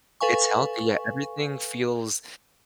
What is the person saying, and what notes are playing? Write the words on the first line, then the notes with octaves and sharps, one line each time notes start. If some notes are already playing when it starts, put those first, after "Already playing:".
it's healthy, yeah, everything feels
A4 B4 F5 G#5 C#6